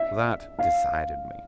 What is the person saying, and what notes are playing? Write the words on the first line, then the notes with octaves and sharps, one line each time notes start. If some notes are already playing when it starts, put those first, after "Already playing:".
That decided me.
Already playing: E5
F5